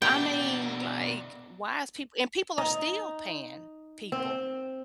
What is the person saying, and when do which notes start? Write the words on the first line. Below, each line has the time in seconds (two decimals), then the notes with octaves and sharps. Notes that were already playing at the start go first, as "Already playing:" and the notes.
I mean, like, why is people and people are still paying people.
0.02 B2 D4 G5
2.58 D#4
4.12 C4